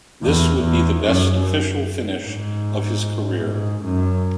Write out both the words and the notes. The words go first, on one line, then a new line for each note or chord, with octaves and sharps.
This would be the best official finish of his career.
E2
E2
F#2
G#2
G#2
F#2